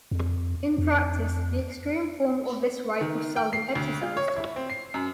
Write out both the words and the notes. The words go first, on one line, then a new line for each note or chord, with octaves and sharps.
In practice, the extreme form of this right was seldom exercised.
F2
F2
D#3
G5
C7
D2
F4
C#5
E4
C4
C7
F#2